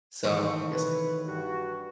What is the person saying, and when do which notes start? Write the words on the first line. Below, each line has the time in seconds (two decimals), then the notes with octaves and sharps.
So, yes, I'm doing work
0.24 D#3 E3 A3 A4 C5 C#6
0.75 B4 C#5
1.27 G2 F#4